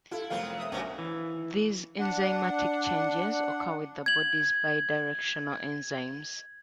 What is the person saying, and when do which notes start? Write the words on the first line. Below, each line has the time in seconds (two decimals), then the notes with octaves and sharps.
These enzymatic changes occur with the body's bidirectional enzymes.
0.11 E4 F4 A4
0.30 F1 F#3 B3 C4 A#4 F5
0.43 D#6
0.58 E5 D#6
0.72 B1 B2 D3 F#3 C#4 A#6
0.98 E3
1.99 D4 F#5
4.06 G#6 F#7